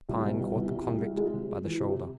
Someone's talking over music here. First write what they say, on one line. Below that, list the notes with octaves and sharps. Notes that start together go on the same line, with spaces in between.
Pine caught the convict by the shoulder.
C2
B2
C2
C2
C2
C2
G#3
G#3
C3
G#3
E3
C3
C3